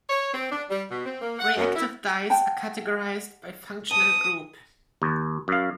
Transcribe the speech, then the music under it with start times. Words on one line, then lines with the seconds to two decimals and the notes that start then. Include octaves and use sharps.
Reactive dyes are categorized by functional group.
0.10 C#5
0.33 C4
0.51 D4
0.69 G3
0.90 B2
1.05 C4
1.21 A#3
1.39 F#5
1.56 F#2
1.75 E4
2.30 F#5 G5 A5
3.91 A5 D#6
5.02 D#2
5.48 F#2 F5